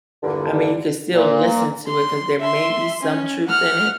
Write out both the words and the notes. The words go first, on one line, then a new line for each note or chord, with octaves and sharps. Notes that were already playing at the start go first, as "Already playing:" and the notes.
I mean, you could still listen to it, 'cause there may be some truth in it
E2 G2 A#2 D3
A#2
C6
E5 C6
C#4
F#5 F6